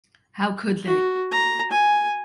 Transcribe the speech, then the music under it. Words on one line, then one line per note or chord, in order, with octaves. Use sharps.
How could they?
F#4
A#5
G#5